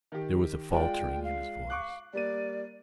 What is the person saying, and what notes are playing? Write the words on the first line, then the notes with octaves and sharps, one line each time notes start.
There was a faltering in his voice.
D#3 G4
G#3 F4 D5 G5
F5
C#6 D6 F#6
G3 A#3 D5 D#7